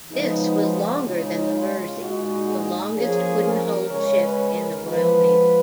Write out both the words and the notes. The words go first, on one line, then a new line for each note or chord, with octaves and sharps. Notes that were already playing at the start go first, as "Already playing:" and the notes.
This was longer than the "Mersey", the longest wooden-hulled ship in the Royal Navy.
C#3 F3 G#3 B3 D#4
F4
C#3 G#3 C#4 D#4
F4
A#2 G#3 D#4 F#4
G#4
F3 A#3 C#4 G#4
A#4
C#3 G#3 C#4 C#5
B4
A#4
F3 G#3 B3 B4